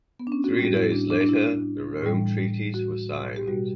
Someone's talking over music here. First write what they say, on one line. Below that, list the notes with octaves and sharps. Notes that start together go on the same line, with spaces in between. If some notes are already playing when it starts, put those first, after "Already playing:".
Three days later the Rome treaties were signed.
B3
D4
C#4
F#4
A2 G3
F#4
E4
D4
D4
D4
E4
A2 E3 G3
F#4
G4
B2 G3 F#4